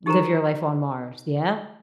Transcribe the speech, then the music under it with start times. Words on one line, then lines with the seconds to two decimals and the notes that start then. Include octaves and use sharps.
live your life on Mars. Yeah?
0.06 D#4 G4 A4 A#4 C5 A#5